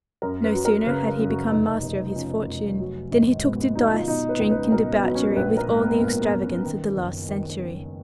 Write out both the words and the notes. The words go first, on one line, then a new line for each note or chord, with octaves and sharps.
No sooner had he become master of his fortune than he took to dice, drink, and debauchery with all the extravagance of the last century.
F#2 A#4
B4
F#3
A#4
C#3 B4
A#4
F#2
F#4
F1 D#4
F1
F3 C#4
F1
F#3
G#1
G#2 B3
B3
F#3 D#4
F4
B2 D#4
B4
C#2
B4
B2 A#4
B3
F#3
C#4
A#1 B4
A#4
G#2
B3
A#1 A#3
B3
A#1
C#4
D#3
F#1
D#3
F#1